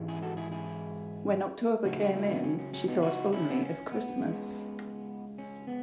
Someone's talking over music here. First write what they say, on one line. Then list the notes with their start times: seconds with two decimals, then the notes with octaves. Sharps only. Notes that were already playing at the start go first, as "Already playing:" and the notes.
When October came in, she thought only of Christmas.
Already playing: G#2 E3 G#3
0.08 E4 G#4
0.23 F#4 A4
0.37 E4 G#4
0.51 E4 G#4
1.84 C#2 C#3 F#3 A3 D#4 F#4
1.99 D#4 F#4
2.15 C#4 E4
2.29 B3 D#4
2.44 C#4
2.59 C#4
2.74 C#4
2.88 B3 D#4
3.02 D#4 F#4
3.32 C#4 E4
3.50 B3
3.61 C#4
3.92 B3
4.20 C#2 C#3 G#3
5.38 C#4
5.67 B3